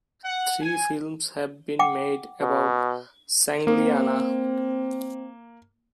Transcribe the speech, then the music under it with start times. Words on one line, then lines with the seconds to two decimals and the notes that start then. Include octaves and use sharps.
Three films have been made about Sangliana.
0.24 F#5
0.61 G#5
1.79 F#5 G5 D6
2.41 B2
3.67 A#3 C4